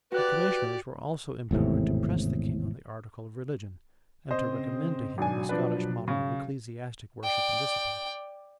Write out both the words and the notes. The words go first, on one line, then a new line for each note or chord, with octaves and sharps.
The commissioners were also empowered to press the king on the article of religion, and to recommend to him the Scottish model of ecclesiastic worship and discipline.
F#4 G4 B4 D5 F#6
G#1 E2 A2 C3
C#3 C4 C5 D#5
G#1 B2 F#3 D4 G#5
F3 D4 B4
C#3
D5 G5